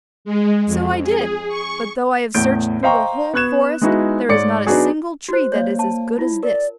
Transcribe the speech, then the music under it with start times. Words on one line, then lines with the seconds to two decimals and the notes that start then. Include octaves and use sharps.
'So I did; but though I have searched through the whole forest, there is not a single tree that is as good as this.
0.25 G#3
0.67 F2
1.03 G#4
1.48 C#6
2.34 E2 A2 G6 D7
2.83 C5 D#5 F5 G5 A#5 C#6
3.34 B3 C#6 F#6 G#6 E7
3.82 G#3 B3 D#4 E4 F#4
4.29 G#2 C#5 D5 C#7
4.67 F#3 B3 D4 D#4 F#4 G#4
5.28 F#4 C5
5.52 A#3 C#5 D5 F5
5.79 A5
6.19 E4 F4
6.43 A#4 D5